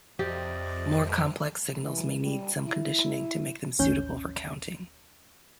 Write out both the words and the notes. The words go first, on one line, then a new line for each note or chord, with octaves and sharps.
More complex signals may need some conditioning to make them suitable for counting.
F2 C3 G4 D5 D#5
E3
G3
E4
A1 D#2 C#4 G6